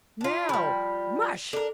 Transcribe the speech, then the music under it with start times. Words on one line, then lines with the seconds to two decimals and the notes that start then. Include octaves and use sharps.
"Now, MUSH!"
0.21 D4 F4
0.49 F3 G3 B5
1.53 D4 A4 A#4